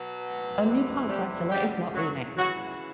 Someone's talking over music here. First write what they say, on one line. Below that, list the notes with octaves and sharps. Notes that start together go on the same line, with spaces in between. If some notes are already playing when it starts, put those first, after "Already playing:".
Only Count Dracula is not renamed.
Already playing: B2 F#3
C3 E3
G3 G4
C#3 F#3 G3 G4
F#3 F#4
C#3 E3 F#3 F#4